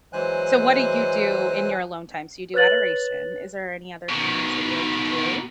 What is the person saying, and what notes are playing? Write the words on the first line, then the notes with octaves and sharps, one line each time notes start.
So what do you do in your alone time? So you do adoration. Is there any other things that you like to do?
E3 F#3 G#3 C5 G#5 F#6
B4 C#5 F#6 A6 F#7
B2 D#3